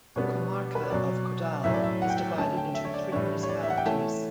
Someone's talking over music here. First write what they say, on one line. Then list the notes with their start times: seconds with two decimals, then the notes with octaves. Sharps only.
The comarca of Caudal is divided into three municipalities.
0.16 B2 G3 B3 D4 C#5
0.75 B4
0.83 C#5
0.90 B2 F#3 C#4 D5
1.64 A2 F#3 C#4 E5
1.74 D5
1.84 E5
2.02 F#5
2.10 G5
2.17 F#5
2.38 D3 A3 C#4 A5
2.57 G5
2.75 E5
2.85 C#5
2.94 D5
3.12 A2 E3 G3 D4 C#5
3.43 C#5
3.49 D5
3.63 E5
3.70 F#5
3.78 G5
3.86 E3 A3 C#4 A5